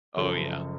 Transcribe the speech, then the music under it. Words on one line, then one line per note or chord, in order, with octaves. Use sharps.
Oh, yeah.
F#1 F#2 F3 A4